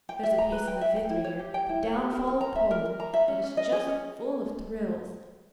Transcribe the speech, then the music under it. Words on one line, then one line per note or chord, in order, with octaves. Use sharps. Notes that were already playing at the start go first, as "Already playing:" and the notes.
There is a piece in the Fifth Reader--'The Downfall of Poland'--that is just full of thrills.
G5
E5
A#5
B4
G5
E5
G5
E4
C#5
G4
G5
E4
C#5
G4
A#4
A#4
A#5
E5
A#4
A#4
A#5
E5
C#4
C#4
D#5
G#4
C#4